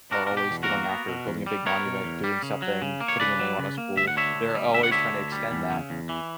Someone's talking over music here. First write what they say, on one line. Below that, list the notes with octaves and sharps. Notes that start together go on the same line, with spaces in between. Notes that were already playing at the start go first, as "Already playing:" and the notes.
are always going after building a big monument, doing something, putting their name on a school, they're always tryna extend that.
D4 F#4 A#4
B2 A#4
G4
E2
F#4 A#4
A#3
B3
B2
E2
G3
B3 A#4 C#5
B2
E2
G3
C#3
F#3
C#3
A#3
C#5
C#3 B4 D5
F#3
C#3
A#3
D2 E5
F#5
D3 C#5 E5
D2
G3
D2 E5
F#5
D3 C#5 E5
D2
G3
E2
C#3
E2
E3